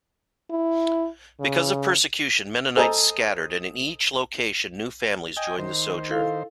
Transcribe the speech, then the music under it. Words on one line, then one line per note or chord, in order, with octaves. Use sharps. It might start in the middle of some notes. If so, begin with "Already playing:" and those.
Because of persecution, Mennonites scattered and in each location new families joined the sojourn.
E4
C#3
A4 C5 D#5 G#5 A#5
D#5 G5 G#5
D#3 C5
E4 A4 F5